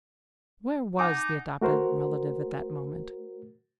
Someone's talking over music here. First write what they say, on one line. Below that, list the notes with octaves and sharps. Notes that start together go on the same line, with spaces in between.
Where was the adopted relative at that moment?
D#4 F#5 G#5 D6
A3 F#4 A#4 C5